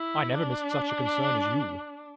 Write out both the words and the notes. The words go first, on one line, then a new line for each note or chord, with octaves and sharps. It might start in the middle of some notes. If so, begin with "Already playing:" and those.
"I never missed such a concern as you."
Already playing: E4
D4